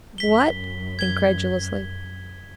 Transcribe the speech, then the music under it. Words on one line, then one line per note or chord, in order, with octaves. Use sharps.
"What!" incredulously.
F#2 B6 G7
G#6 G7